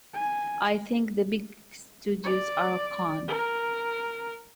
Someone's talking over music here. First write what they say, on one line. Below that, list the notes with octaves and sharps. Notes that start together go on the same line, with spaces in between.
I think the big studios are a con.
G#5
D5
A#4